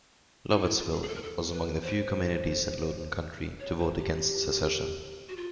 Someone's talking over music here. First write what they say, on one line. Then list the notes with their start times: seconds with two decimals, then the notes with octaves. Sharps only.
Lovettsville was also among the few communities in Loudoun County to vote against secession.
0.51 D#4
0.63 E4
0.77 F4
0.92 G#4
1.03 G#4
1.08 A4
1.15 A#4
1.22 A4
1.52 B4
1.82 C5
3.60 C#5
3.79 C5
3.98 G4
5.29 F#4
5.36 F4